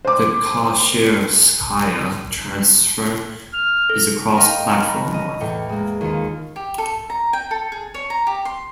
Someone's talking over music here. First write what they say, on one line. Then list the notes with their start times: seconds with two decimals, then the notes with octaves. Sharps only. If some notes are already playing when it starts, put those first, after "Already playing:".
The Kashirskaya transfer is a cross-platform one.
0.05 C5 D6
3.53 F6
3.90 A4
4.36 A#4 D#5 F5 G5 F6
4.79 A#5 B5 C#6 F6 F#6
5.14 D#5
5.40 E2 A2 G5 C#7
5.69 G#3 A#3
6.01 D#2 D#3 F4 C#7
6.56 G4
6.78 A4
7.10 A#5
7.33 G5
7.51 A4
7.72 G#4
7.94 C#5
8.10 A#5
8.27 G4
8.45 C6